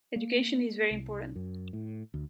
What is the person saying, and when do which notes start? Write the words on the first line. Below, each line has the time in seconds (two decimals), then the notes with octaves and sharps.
Education is very important.
0.16 A#3
0.91 C2
1.36 F#2
1.73 A2
2.14 D2